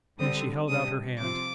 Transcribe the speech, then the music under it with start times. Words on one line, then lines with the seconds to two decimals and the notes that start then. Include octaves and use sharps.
Then she held out her hand.
0.19 D3 G3 C4 D#6
0.69 C3 G3 D4 D#6
1.19 C3 F3 C4 F4 D6